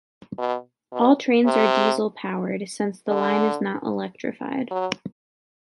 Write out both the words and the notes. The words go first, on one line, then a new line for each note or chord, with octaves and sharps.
All trains are diesel-powered, since the line is not electrified.
B2
B2
C3
D3
F#3